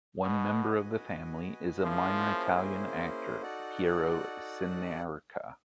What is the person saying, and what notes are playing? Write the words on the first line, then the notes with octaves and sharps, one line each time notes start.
One member of the family is the minor Italian actor Piero Senarica.
B2 F#4 B4 D#5 G#5
F3 A#3 C#4 E4 G#4 C5
D#4 F#4 A4 D5 F#5